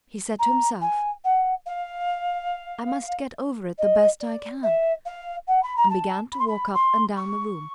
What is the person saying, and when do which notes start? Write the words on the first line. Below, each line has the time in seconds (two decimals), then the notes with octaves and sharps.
He said to himself, "I must get over it the best I can," and began to walk up and down the room.
0.39 A#5
0.81 G#5
1.24 F#5
1.66 F5
3.78 D#5
4.20 D5
4.63 E5
5.05 F5
5.47 F#5
5.63 B5
5.76 A#5
5.90 A5
6.32 B5
6.39 C6
6.47 B5
6.74 C6
7.17 C#6